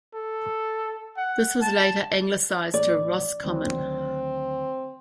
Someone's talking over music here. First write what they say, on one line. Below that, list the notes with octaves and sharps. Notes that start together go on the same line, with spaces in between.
This was later anglicised to Roscommon.
A4
F#5
A5
A1 D5
D2 D#3 F#3 C4